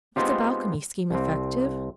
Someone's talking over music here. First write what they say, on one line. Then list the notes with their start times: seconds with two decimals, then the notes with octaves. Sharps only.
Was the balcony scheme effective?
0.16 G#3 B3 C4 D#4 F4 G4
1.11 C2 C4